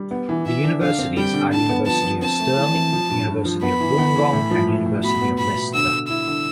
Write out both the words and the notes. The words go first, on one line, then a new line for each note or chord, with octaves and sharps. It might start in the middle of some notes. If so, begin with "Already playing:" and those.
The universities are University of Stirling, University of Wollongong, and University of Leicester.
Already playing: G3
B3
E3
E3 E5
D4
D3 F5
C4
G3 G5
D3
D3 A5
B3
F3 A5
F3
C4 A5
A3
E3
C4
F3
G2
G2
F3
B3 B5
E3
B3
E3
A2
F3
A2
A2
B2 B5
B3
B2 B5
B2
D3 E6
D3
E4 E6
D3